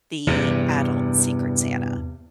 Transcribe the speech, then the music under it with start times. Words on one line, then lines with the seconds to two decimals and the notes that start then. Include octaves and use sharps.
the adult Secret Santa.
0.27 E2 G2 C3